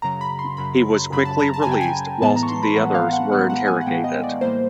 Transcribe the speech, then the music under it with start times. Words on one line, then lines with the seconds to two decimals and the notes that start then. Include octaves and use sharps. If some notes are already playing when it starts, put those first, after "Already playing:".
He was quickly released whilst the others were interrogated.
0.02 F#2 C#3 F#3 A#5
0.21 B5
0.39 C6
0.57 F#2 C#3 F#3 B5
1.12 F#2 C#3 F#3 B5
1.25 A5
1.39 A#5
1.54 A5
1.63 G#5
1.67 F#2 C#3 F#3 G5
1.81 G#5
2.22 A2 E3 G#3 B3 A5
2.36 A#5
2.43 C#6
2.49 C6
2.62 B5
2.76 A2 E3 G#3 B3 F#5
2.95 F5
3.13 F#5
3.32 A2 E3 G#3 B3 F#5
3.50 F#5
3.68 G#5
3.81 F#5
3.86 A2 E3 G#3 B3 G5
4.04 D#5
4.23 D5
4.41 A2 E3 G3 A#3 C5